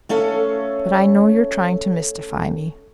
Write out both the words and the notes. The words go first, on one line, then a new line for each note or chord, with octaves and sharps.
"But I know you're trying to mystify me."
A3 C#4 A4 F5